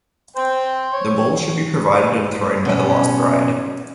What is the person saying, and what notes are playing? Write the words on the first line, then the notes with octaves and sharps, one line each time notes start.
The ball should be provided and thrown by the last bride.
C5 G5
C#5
B2 C#4